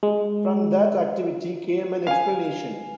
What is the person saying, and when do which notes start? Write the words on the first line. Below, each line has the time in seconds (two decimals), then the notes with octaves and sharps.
From that activity came an explanation.
0.03 G#3
2.07 F5 G#5